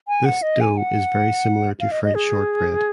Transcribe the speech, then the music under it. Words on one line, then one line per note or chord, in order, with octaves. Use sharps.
This dough is very similar to French shortbread.
G#5
F#5
D#5
G#5
F#5
F5
D#5
D#5
G#4